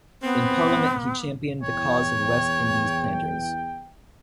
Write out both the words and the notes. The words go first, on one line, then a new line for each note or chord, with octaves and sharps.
In Parliament he championed the cause of West Indies planters.
B3 C4
E2 C#5 G5